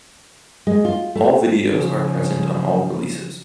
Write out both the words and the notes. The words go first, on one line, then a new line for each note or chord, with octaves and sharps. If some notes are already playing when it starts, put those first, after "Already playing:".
All videos are present on all releases.
G#3
F4
A3
C#3 F3